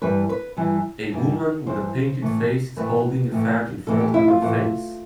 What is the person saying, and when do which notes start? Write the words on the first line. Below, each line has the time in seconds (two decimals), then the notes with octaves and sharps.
A woman with a painted face is holding a fan in front of her face.
0.02 G2 E3 G3 B4
0.29 B4
0.57 G2 E3 G3
1.12 G2 E3 G3
1.67 G2 E3 G3 C5
2.22 A2 E3 A3
2.76 A2 E3 A3 B4
3.31 A2 E3 A3
3.87 A2 E3 A3 A4
4.00 G4
4.14 E4
4.28 F4
4.41 A2 E3 A3